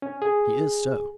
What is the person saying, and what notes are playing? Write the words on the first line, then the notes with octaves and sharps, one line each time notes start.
"He is so."
C#4
G#4